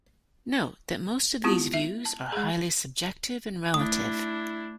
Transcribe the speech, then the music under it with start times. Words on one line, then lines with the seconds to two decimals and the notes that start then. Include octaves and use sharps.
Note that most of these views are highly subjective and relative.
1.44 G#3 B3 C4 E4 F4 G4
1.74 E5
2.05 A5
2.32 G#3 G#4
3.74 A3 D4 E4 D#6